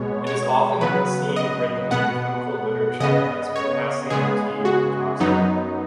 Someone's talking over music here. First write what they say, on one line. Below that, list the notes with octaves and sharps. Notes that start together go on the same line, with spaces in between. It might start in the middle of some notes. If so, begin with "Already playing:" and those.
It is often seen written in chemical literature as potassium "t"-butoxide.
Already playing: B2 G#3 B3 C#5
C#5
C#3 F#3 B3 B4
D#5
B2 B3 F#5
C#3 B3 D#5
C#5
C#3 G#3 B3 G#4
F#4
F#2 F#3 B3 D#4